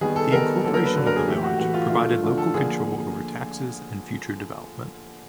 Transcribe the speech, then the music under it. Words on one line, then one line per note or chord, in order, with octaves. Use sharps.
The incorporation of the Village provided local control over taxes and future development.
D#3 G3 B3 G#4
A4
D#3 G3 B3 A#4
D3 F#3 A#3 A4
A#4
B4
D3 F#3 A#3 B4
A#4
G#4
A2 E3 A3 G4
F#4
A2 E3 A3 F#4
F4
D3 F3 A3 F4
D3 F3 A3
A4
D3 F3 A#3 G#4